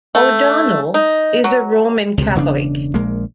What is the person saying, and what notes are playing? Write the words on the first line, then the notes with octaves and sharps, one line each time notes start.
O'Donnell is a Roman Catholic.
A3
D#4
F#3
C#2 C3
E1 C#3 C4 D4
A#1 G#3 A#3